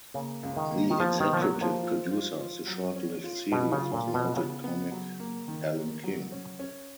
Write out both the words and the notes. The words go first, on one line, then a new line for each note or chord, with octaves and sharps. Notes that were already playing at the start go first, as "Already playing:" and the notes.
The executive producer of the short-lived series was noted comic Alan King.
C#3 A#3
C#2
D#3
A#3
D#3
F3 A#3
D#3
B2
F3
F#3
A#3
F3
F4
F4
F4
F#3
C#4
F4
B2 F#3
C#3
F4
A#2
F4
B2
C#3 B3
B3
F#3
A#3
D#3
A#3
F#3
C#4
C#4